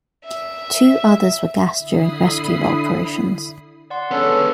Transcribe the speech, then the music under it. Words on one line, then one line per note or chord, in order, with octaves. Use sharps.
Two others were gassed during rescue operations.
E5
D3 E4 B5 D#6 C7
D5 F#5 C6
D3 G#3 B3 C#4 D4 A4 B4